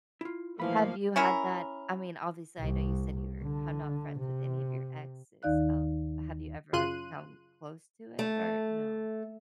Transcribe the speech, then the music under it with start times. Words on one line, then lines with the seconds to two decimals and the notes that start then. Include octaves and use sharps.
Have you had that I mean, obviously, I know you said you're how not friends with any of your exes. Um, have you ever, like, come close to it or no?
0.21 E4 F4
0.60 B1 A2 E3 F3 A#3 F5 B5
1.16 C#4 E4 A#4
2.60 C2
3.42 D3
4.19 C3
5.43 D#2 D#3 D#4 D5 F5 F#6
6.73 F#2 C#3 F4 C6 F#6 D#7
8.19 A3